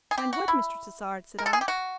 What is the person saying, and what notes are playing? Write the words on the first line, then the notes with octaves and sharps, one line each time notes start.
"Find what, Mr. Tassard?" said I.
G#4
G4
F#4
E4
A#4
A4
G#4
G4
F#4